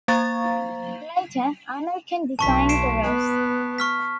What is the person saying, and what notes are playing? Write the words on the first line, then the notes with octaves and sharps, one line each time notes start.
Later, American designs arose.
A#3 C5 F5 A#5 C#6 A6
B1 A5 C#6 B6
C7 D7 E7
B3
C#6 F6 B6